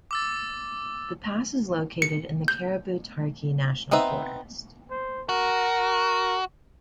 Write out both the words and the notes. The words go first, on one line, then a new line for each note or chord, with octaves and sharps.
The pass is located in the Caribou-Targhee National Forest.
D6 E6 A6
C#7
G6
B3 C4 D#4 B4 E5
C5
F#4 A#4